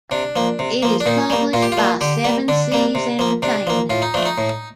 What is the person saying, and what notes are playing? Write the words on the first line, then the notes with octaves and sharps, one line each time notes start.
It is published by Seven Seas Entertainment.
C3 D4
F3 A#3
C3
F3 A#3
D4
A#2 D#4
G3 A#3
A#2 F4
G4
F4
G3 A#3
D3 G4
G3 A#3
D3 D4
G3 A#3
C3
F3 A#3
C3 D4
F3 A#3
A2 F4
D#4
F3 A3 D4
D#4
A2